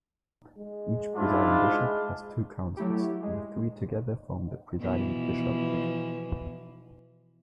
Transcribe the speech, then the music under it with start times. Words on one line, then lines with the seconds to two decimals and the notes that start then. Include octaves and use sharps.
Each Presiding Bishop has two counselors; the three together form the Presiding Bishopric.
0.57 G#3
1.16 G#2 D4 E4 F4
1.70 G#3
2.77 F#3 A3 E4 G4
3.22 G#3
4.80 B2 E3 F3